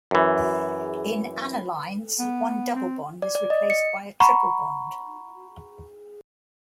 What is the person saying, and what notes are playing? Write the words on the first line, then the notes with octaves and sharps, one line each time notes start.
In annulynes, one double bond is replaced by a triple bond.
F#2 E3
B3
C4
D5
D5
D#5
C#7
F#5 A#5 B5 C#6